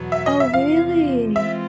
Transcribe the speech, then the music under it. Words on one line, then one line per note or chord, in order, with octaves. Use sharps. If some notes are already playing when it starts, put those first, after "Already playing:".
Oh, really?
Already playing: E2 B2 F#3 B3
E5
D#5
E5
E2 C3 F3 F5
E3 G#3 C4 F4 E5